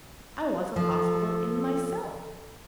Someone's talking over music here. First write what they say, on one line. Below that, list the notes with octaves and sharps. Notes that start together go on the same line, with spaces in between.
I was a hospital in myself.
F3 A4